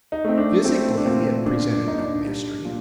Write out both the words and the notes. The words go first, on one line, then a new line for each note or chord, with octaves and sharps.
Physically it presented no mystery.
D#4
A3 C4
D4
A3 C4
D4
A#2 C4
A#2 D4
D4
A#2 D#4
D4
G3
A#2